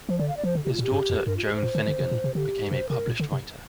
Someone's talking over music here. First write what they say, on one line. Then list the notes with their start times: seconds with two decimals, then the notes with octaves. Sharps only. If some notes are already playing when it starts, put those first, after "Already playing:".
His daughter Joan Finnigan became a published writer.
0.09 F3 C5
0.18 D3 D5
0.28 F5
0.37 D5
0.44 F3 C5
0.55 D3
0.64 C3 G4
0.73 F4
0.79 A#2
0.83 G4
0.92 G2
1.10 F2
1.27 G2 A#4
1.37 F4
1.45 G4
1.54 C5
1.63 A#2
1.75 D3
1.88 D3
2.00 C3
2.11 A#2
2.24 C3
2.35 D3 G4
2.71 C3 C5
2.89 C3 A#4
3.08 A#2
3.20 D3
3.32 C3